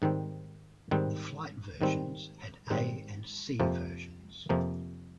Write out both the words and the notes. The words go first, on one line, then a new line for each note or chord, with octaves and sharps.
The flight versions had A and C versions.
G#2 D#3 G3 C4
G#2 D#3 G3 C4
G#2 D#3 G3 C4
G#2 D#3 G3 C4
F2 C3 F3 A#3
F2 C3 F3 A#3